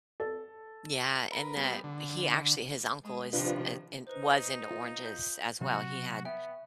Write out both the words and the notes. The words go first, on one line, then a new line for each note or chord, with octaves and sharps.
Yeah, and that he actually his uncle is i in was into oranges as well. He had
A4
A#4 B4
G3 B3
D3
G#3
C3 D#3 F3 D4 F4 B4
D#4 B4 C5
F4
G6
C3 F#3 F#4 E5
B3 E5 G5